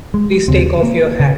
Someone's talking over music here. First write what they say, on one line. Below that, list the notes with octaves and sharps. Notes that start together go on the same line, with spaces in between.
Please take off your hat?
G#3
D#2 C#3 C4
A#3
C#3